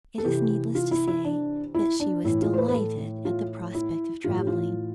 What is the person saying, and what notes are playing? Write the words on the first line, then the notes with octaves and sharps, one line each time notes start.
It is needless to say that she was delighted at the prospect of traveling.
A4
C3 E3 G4
F4
E4
E4
D4
E4
D4
A2 E3 E4
F4
C5
B4
B4
A4
F4
E4
A2 E3 F4
G4
F4